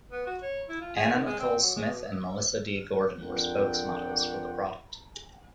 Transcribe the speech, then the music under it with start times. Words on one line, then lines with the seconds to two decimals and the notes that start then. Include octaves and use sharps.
Anna Nicole Smith and Melissa D. Gordon were spokesmodels for the product.
0.12 B3
0.27 F#4
0.43 C#5
0.69 E4
0.81 F4
0.96 G#4
1.13 D#3
1.26 G#3
1.39 C4
1.63 F#3
1.76 G#3
1.91 B2
3.21 F2 D4 F4 A#4 F#5 G5